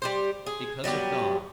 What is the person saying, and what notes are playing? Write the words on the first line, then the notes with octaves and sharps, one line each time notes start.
Because of God.
G3 G4 C5
G#4
F#3 G3 B3 G4